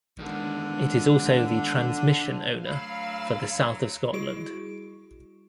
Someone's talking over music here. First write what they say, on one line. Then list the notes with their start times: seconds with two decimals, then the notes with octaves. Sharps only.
It is also the Transmission Owner for the south of Scotland.
0.19 E2 D3 D#3 G#3
2.65 D2 F#3 F5 B5 E6
4.13 G3 E4 F#4 G#4 C#6 D7